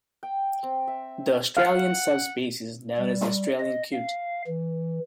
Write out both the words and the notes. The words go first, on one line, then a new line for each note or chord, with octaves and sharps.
The Australian subspecies is known as the Australian coot.
G5
C4
E5
F5 F#5
G3
D#5
F5
E3